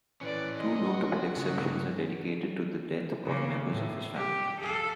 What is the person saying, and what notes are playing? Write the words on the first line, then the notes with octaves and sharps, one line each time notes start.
Two notable exceptions are dedicated to the death of members of his family.
E3 C#4 B4 D5
D#5 C6
F#4
G2 C#3 F#4
C#3 A#3
A2
G4
A4 F5